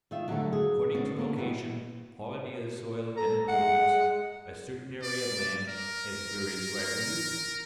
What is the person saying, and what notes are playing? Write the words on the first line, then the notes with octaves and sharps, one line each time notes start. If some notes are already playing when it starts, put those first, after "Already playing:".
According to location, quality of the soil, and improvements, a certain area of land has various rival uses.
D#3 F4 E5
D3 F#3 G3 A3 D4 A4
G#4
C4 C#4 F#4 D5
D3 A#3 A5
B2 D#3 E3 G3
A4 A#5
G#3 F#5
D5
A#4